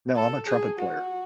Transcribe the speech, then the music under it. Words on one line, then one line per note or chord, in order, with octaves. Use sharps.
No, I'm a trumpet player.
A4
G#4
F#4